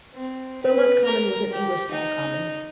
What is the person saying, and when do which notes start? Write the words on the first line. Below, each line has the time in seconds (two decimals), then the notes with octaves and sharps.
Beaumont Common was an English style Common.
0.14 C4
0.63 B4
1.04 A#4
1.51 G4
1.91 D#4